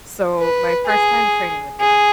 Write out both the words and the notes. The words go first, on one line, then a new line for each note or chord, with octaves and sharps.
So my first time training with them
B4
G#4
G#4